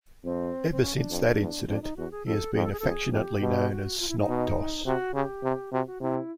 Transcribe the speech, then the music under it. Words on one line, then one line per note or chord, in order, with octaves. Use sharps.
Ever since that incident, he has been affectionately known as 'Snot Toss'.
F2 C4
C4
C#4
D4
F2
E2
F2 D4
D#4
E2 F#4
G#4
F2 A4
F2 G#4
A4
G#4
F2 A4
G#4
F2 G4
B2
F#4
F4
E4
D#4
B2
C3 F#4
C#3 G4
C3
C3 F#4
F#4
C3 E4